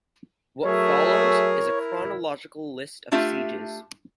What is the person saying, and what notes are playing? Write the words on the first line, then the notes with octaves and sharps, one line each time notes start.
What follows is a chronological list of sieges.
F#3 A3 G#4 A#4 C#5 E5
E4
A3 D4 F4 G4 E5